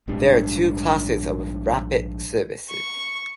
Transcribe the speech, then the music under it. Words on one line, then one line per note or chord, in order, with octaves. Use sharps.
There are two classes of "Rapi:t" service.
A#1 G#2 G3 D4
C#6